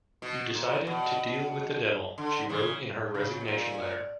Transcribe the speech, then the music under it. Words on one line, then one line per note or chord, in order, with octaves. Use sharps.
"You decided to deal with the devil", she wrote in her resignation letter.
B2
A#2
B2
D3
C#3 E3
C#3
C#3
B2
A#2